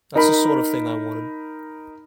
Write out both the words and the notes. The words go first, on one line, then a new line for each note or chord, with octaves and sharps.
That's the sort of thing I wanted.
D#4 A#4 B5